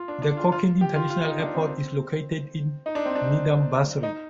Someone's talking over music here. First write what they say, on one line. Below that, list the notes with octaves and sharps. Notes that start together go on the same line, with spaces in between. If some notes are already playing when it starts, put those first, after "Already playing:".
The Cochin International Airport is located in Nedumbassery.
Already playing: F4
D4
D4
F4
F4
G4
F4
F4
D#4
D4
C4
D#4
D4
C4
D4
D#4